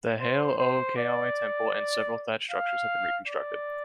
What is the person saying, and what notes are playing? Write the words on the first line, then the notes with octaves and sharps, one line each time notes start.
The Hale o Keawe temple and several thatched structures have been reconstructed.
C5
C5
D5
F5
D5